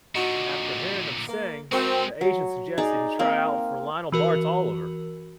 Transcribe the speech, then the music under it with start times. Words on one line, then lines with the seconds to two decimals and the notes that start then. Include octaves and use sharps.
After hearing him sing, the agent suggested he try out for Lionel Bart's Oliver!
0.15 A#2 D3 D#4 F#4
1.29 A#3
1.72 G#3 C4 F#4 A#4 C#5 E5
2.21 F#3
2.78 D#4 G#4 D5
3.19 A#3 C4
4.12 E3 F#4 A#4